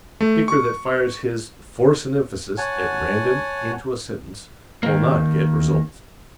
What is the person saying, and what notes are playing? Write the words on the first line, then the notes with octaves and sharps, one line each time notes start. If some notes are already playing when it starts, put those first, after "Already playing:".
The speaker that fires his force and emphasis at random into a sentence will not get results.
A3
C#6
C#5 F#5 G#5 A5
D#3 A#3